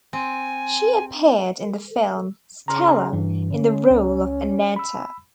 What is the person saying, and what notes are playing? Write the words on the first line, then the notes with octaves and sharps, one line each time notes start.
She appeared in the film "Stella" in the role of Anetta.
C4 G#5
C#3 A#5 C6 F6
G2 E3
D3 C#4
C#2
B5 E6